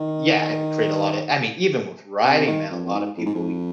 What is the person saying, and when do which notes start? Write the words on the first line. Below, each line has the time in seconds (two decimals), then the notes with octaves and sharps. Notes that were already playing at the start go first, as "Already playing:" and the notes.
Y yeah create a lotta I mean, even with writing, man, a lotta people e
Already playing: D#3
2.24 C3
2.40 C3
2.47 D#3
2.71 F2
2.85 F2
2.94 G#2
3.17 F2
3.26 G#2
3.35 F2